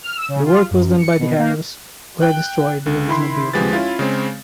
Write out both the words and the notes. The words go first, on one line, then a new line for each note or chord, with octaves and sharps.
The work was done by the Arabs who had destroyed the original building.
F6
E6
C#3
F4
F#2
C#7
B2
A#3
G5 F#6
C#2
D#3 E4 B5 C6
D2 F3 G#3 G4 B4 A6
C#4 E4 F4
C#3 G#3 C4